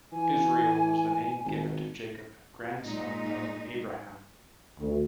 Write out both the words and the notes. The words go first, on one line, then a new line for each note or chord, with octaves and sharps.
Israel was the name given to Jacob, grandson of Abraham.
E3 G#5
G#1
A#2 G#3 D#4
D2